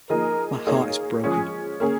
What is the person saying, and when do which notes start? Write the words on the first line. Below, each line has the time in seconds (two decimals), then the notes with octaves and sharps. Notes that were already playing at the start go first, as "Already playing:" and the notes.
My heart is broken.
0.10 F3 A#3 D#4 G#4 A#4 D#5
0.67 A#3 D#4 G#4 C#5 F5
1.24 F3 G#3 C#4 G#4
1.80 A#3 C#4 G#4